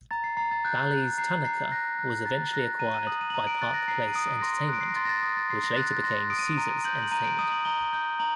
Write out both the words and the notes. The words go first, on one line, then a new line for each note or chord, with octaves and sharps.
Bally's Tunica was eventually acquired by Park Place Entertainment which later became Caesars Entertainment.
A#5 A6
C7
A#5 C7
A6
F#6 G6
F#6
A#5 C7
A#5 C7
F#6 A#6
F#6
A#5 A6
F#6 A#6
A#5 D#7
D#7
D#6 F#7
D#7
F#7
A#5 D#7
D7
F#6 A6
A#6
A#5 C7
D#7
D#6 D7
C6 A#6
F#6 D7
C7
A#6
C6 A6
A#6
A6
D#6
A6
C6 C7
A#6
F#6 A6
A6
C6 A#6
D#6 D7
D#7
D7
A#5 D#7
G6 F#7
F#7
A#5 D#7
D7
D#6 D#7
F#7
A#5 G7
G6
A#5 F#7